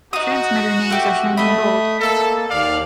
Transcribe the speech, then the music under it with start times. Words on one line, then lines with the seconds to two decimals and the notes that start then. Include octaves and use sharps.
Transmitter names are shown in bold.
0.13 D#4 F#4 D#6
0.90 A3 G4
1.37 A3 D#5 E5 B5 D#6
2.01 A#3 A4
2.50 D#2 D5 F5